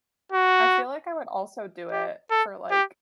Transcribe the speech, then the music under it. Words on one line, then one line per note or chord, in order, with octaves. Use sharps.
I feel like I would also do it for, like,
F#4
G4
A4
G4